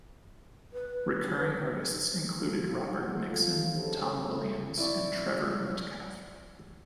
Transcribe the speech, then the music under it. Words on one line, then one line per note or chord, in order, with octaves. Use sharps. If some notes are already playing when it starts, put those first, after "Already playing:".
Recurring artists included Robert Nixon, Tom Williams and Trevor Metcalfe.
B4
F3
E2 B2 G#3
F4 A4
E2 C#3 D4 G4 A4 C5
F#2 A3 A#3
E4 D5 C#6